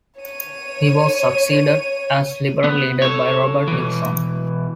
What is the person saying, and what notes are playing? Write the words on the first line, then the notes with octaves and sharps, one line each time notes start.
He was succeeded as Liberal leader by Robert Nixon.
C#5 D#7
B3
A4 C#5
B2 E3